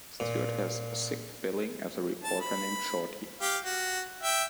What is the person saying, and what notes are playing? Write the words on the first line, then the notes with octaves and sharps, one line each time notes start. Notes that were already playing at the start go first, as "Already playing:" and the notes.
Stewart has sixth billing as a reporter named Shorty.
A#2
A5
B5
G4 F5
F#4
E5 G5